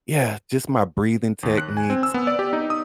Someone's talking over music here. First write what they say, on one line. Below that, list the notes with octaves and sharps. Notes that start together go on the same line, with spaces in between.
yeah, just my breathing techniques,
D#2
F#6
G#5
C4
E6
B3
D5
G4
D#4
D#6